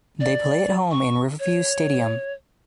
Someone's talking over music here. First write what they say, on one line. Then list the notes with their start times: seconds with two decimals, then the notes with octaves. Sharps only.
They play at home in Riverview Stadium.
0.21 D5
0.91 C#6
1.39 C#5